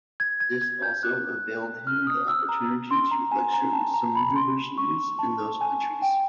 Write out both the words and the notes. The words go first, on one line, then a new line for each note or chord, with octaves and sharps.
This also availed him the opportunity to lecture in some universities in those countries.
G#6
G#6
G#6
G6
F#6
F6
D#6
E6
A#5
C6
A#5
G#5
A#5
A5
A#5
B5
C6
C#6
A5
G#5
G5